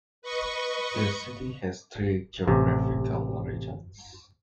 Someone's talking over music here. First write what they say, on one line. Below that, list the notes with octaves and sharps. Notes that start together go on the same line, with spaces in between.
The city has three geographical regions.
B4 D#5 C#6
A1 C3